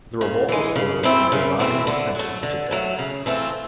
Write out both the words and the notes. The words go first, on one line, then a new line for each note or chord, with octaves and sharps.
The revolt was foiled and Gaylani was sentenced to death.
C#3
E3 G#3
C#3
E3 A3 C4 E4
C#3
E3 A3 C4 E4
D3
F#3 A3
D3
F#3 A3
C#3
E3 A3 C4 F4